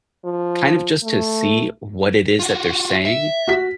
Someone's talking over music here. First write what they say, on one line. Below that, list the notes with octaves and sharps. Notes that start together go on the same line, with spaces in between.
kind of just to see what it is that they're saying,
F3
A3
F4 F#4
E5
F#4 B6